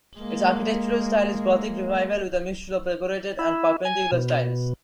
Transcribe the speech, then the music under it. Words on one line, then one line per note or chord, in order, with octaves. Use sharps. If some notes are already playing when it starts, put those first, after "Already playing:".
Its architectural style is Gothic Revival, with a mixture of Decorated and Perpendicular styles.
G#3 A#3
E4
G#5
B2